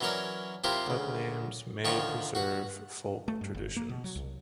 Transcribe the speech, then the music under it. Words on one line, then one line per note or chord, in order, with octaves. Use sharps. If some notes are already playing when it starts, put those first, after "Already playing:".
Pub names may preserve folk traditions.
E3 F#3 C#4 A#4 C#5 D5
C3 E4 F4 G4 A#4 C5
D2 C#3
D2 D#3 F3 C#5 A5 C#6
F#4 F#5
A3
G2
G1
A#3
B2
F#3
C2